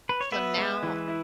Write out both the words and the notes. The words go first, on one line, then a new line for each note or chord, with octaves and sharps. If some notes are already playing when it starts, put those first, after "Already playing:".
So now
B4
C#5
B3 B4 E5
G#3
E3
E4